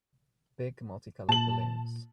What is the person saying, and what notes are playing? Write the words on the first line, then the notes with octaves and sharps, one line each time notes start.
Big multicolored balloons.
A#2 A5 F#7